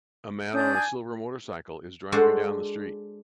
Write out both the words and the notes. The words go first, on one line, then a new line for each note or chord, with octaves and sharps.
A man on a silver motorcycle is driving down the street.
C#4 D4 D#6 G6
G#5
G#3 D4 F#4 A4 C5